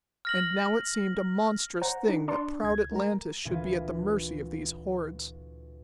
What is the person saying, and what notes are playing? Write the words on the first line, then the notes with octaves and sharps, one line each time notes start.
And now it seemed a monstrous thing that proud Atlantis should be at the mercy of these hordes.
F6 A#6 F#7
C5 F#5 A#5
D4 D#4
D4 D5 A5 C6
C#2 G#6
G#3 A#4 A#5
D2 A#2 E3 F4 B4 G#5